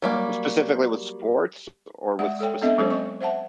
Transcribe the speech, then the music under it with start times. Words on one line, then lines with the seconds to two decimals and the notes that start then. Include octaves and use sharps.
Specifically with sports or with specific
0.02 F#3 G3 A#3
2.19 G#3 D5 F#5
2.39 G#3 A4 C#5 G5
2.62 B3 C4 D4 A4 D#5 E5
2.78 F#3 G#3 C#4 A4 C5
2.90 C4 D#5 C#6
3.21 C5 E5 F#5 A5